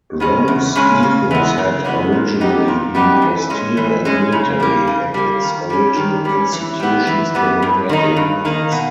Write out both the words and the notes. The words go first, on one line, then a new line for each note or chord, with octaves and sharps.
Rome's ethos had originally been austere and military and its original institutions democratic ones.
C#3 G#3 C#4
E2
C#3 G#3 C#4
C#3
E3 G#3 B3
C#3
E3 G#3 B3
A#2
G3 B3 D#4 G4
A#2
G3 B3 D#4 G4
E3
G#3 C#4
E3
G#3 C#4
C#3
G3 A#3
C#3
G3 A#3
D#3
G3 C#4
D#3
G3 C#4
E3
G3 B3
E3
G3 B3
G2
D#3 A#3 D#4
G2
D#3 A#3 D#4
B2